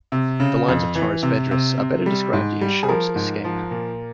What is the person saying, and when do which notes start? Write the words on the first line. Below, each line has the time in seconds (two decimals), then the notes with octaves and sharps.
The lines of Torres Vedras are better described in "Sharpe's Escape".
0.12 C3
0.40 C#3
0.68 F2
0.95 E3
1.23 C3
1.51 C3
1.78 C3
2.06 G3
2.33 G#2
2.61 G3
2.83 G#4
2.89 F3 A#4
3.16 G#2
3.44 F3
3.71 A#2